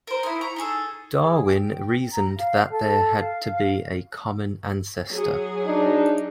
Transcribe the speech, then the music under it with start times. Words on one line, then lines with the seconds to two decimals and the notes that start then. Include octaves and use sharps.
Darwin reasoned that there had to be a common ancestor.
0.07 A#4 C5
0.23 D#4 E4
0.41 A#5 C#6
0.56 D#4 G#4 A4
1.15 G#4
1.43 G5
2.12 A#5
2.36 F5
2.69 A4
3.19 F5
5.12 F#3 G#4
5.65 D4 D#4